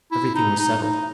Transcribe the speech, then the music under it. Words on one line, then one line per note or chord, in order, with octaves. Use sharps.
Everything was settled.
E4
D#4
D#4
D#4